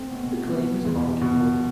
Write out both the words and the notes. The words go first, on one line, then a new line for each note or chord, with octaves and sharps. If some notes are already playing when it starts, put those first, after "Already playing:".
But the claim is an arguable one.
Already playing: A3 C4
B2
B2
E2
B2